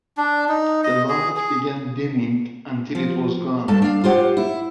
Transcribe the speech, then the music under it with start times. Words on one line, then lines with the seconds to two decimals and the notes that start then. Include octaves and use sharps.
The light began dimming until it was gone.
0.17 D4
0.48 D#4
0.84 D#5
1.09 G#4
1.36 G#4
2.95 F3
3.68 G2 A3 A5
3.82 D4 F5
4.04 F4 G4 C5 F#5
4.37 E4